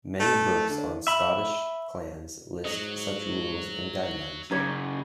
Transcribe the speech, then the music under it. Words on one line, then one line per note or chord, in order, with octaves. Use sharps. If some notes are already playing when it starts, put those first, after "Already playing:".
Many books on Scottish clans list such rules and guidelines.
A3
D3
E5 B5
G#2 F#3 D#5
F#2 C#3 C#4 D#4 G4 C#5